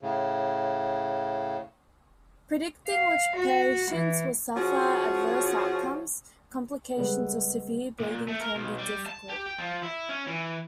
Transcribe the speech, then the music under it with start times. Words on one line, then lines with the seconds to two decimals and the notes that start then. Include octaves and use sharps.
Predicting which patients will suffer adverse outcomes, complications or severe bleeding can be difficult.
0.01 A2 C#3
2.88 F5
3.36 F#4
3.92 E3
4.55 F3 C#4 F#4 G#4
6.97 C#3 G3 G#3 B3 A4 B4
8.00 A#2
8.28 A3
8.40 A#4
8.55 B1
8.79 G3
9.06 A5
9.29 G4
9.46 G5
9.58 F3
9.83 E4
10.09 C#4
10.27 E3